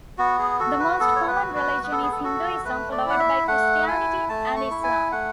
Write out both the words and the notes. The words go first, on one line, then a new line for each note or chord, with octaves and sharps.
The most common religion is Hinduism, followed by Christianity and Islam.
B3 F#4
G#4
F#4 A4
B4
B3 A4
C#5
B4
F#4
B4
B3 B4
A4
G#4
A4
F#4 A4
A3 B4
D5
E4 F#5
E5
A3 F#5
E4 G#5
A3 A5
C#6
E4
G#5
A3 F#5